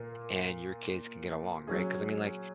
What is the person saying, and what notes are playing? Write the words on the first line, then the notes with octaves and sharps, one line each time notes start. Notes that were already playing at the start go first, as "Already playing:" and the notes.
and your kids can get along, right, 'cause I mean, like
Already playing: A#2 A#3
F#3 C#4 G#4